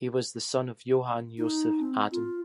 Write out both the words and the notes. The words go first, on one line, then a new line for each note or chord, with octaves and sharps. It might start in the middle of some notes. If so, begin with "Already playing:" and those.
He was the son of Johann Josef Adam.
D#4
C4
F4